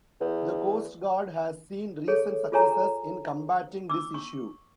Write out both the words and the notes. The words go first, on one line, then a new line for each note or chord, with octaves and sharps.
The Coast Guard has seen recent successes in combating this issue.
E2
G#4 A4 C#5
F4 G#4 A4 C#5 G#5 A#5
D6 E6
C#6